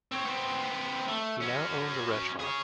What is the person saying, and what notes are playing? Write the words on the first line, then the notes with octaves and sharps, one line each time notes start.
He now owns a restaurant.
C4 C#5
B3 C4
A3
C#4 F#4
G#4 C#5